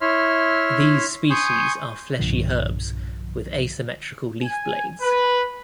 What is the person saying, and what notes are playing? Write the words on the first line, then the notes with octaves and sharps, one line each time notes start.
These species are fleshy herbs, with asymmetrical leaf blades.
E4 C#5 E5 C6 F6
G#5 C6 C#6 D#6 G6
B1 G2 A#2 D3 F3
G#5
B4